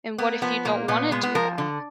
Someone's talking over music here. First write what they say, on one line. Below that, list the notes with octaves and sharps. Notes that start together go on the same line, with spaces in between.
and what if you don't wanna do that?
A#3 B3
F3 B3
A#2 A#3
A#2 B3
G#3 B3
B3
F3 A#4
D3